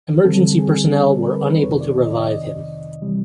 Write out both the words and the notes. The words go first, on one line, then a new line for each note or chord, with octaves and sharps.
Emergency personnel were unable to revive him.
D3 G3 C4 A4
G#4
A4
A#4
B4
F2 C3 D#3 C#5
D5
D#5
D5
D#5
C3 E3 G3